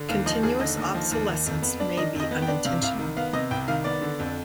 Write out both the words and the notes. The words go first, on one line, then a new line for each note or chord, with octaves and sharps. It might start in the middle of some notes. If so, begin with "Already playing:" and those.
Continuous obsolescence may be unintentional.
Already playing: D3
D#2 F5
F3 D#5
D#2 G#4
D3 D#5
D#2
F3
D#2
D#3
F2
B3
D4
D#3 D#5
F2
D#5
B3
G5
D4
C3 F5
C2 F5
D#3
B3 F5
C3 D#5
C2 G5
D#3 F5
B3 D5
D3
F2